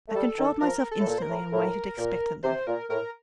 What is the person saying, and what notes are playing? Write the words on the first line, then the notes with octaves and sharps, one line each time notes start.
I controlled myself instantly and waited expectantly.
A3
G3 A4
D#3
F3 A#4
A4
A2
A#2
C5
A#4
A2
A2
A#2
C3 C5
A#2 A#4
A2 A#4